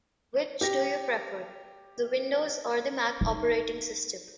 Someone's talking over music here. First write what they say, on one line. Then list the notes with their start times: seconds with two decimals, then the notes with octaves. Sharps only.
Which do you prefer: the Windows or the Mac operating system?
0.61 G4 A#6
3.21 D#4